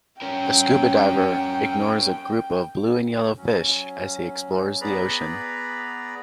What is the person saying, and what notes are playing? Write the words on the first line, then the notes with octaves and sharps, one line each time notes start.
A scuba diver ignores a group of blue and yellow fish as he explores the ocean.
C#4 A#4 G5
F#3 C#4
B3 G#4 B4 D5 A#5 B5